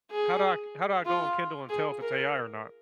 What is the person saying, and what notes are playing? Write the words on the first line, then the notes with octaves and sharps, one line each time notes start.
how do I how do I go on Kindle and tell if it's AI or not?
G#4
F4
G#4
A#4